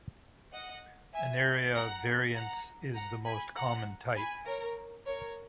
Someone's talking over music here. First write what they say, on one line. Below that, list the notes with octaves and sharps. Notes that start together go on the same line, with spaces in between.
An area variance is the most common type.
D#5 F#5
E5 G#5
F#5 A#5
F#5 A#5
F#5 A#5
G#5 B5
F#5 A#5
G#5 B5
A#4 C#5
A#4 C#5